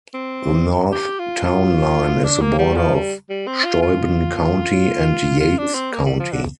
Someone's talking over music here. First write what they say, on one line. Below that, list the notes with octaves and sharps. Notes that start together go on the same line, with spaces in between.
The north town line is the border of Steuben County and Yates County.
C4
G4
F4
F4
D4
A#3
G3
F3
G3
G3
C4
F4
F4
F4
D4
C4
A#3
G3
F3
D3